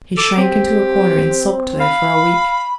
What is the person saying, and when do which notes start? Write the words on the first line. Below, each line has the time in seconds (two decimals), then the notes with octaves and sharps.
He shrank into a corner and sulked there for a week.
0.17 A4 D6
0.38 C4 G4
1.80 F5 B5